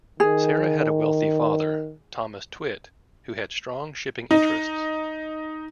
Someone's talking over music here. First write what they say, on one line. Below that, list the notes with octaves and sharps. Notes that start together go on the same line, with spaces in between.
Sara had a wealthy father, Thomas Twitt, who had strong shipping interests.
D#3 G#4
D#4